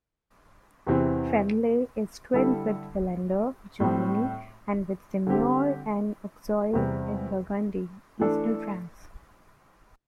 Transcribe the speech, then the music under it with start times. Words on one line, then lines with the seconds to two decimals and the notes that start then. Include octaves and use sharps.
Cranleigh is twinned with Vallendar, Germany, and with Semur-en-Auxois in Burgundy, eastern France.
0.87 E2 C3 E3 C4
2.33 D3 G3 E4 A4
3.80 A2 G3 C4
5.27 D3 G3 C4 G4
6.73 E2 C3 G3
8.20 E3 A3 D4 A4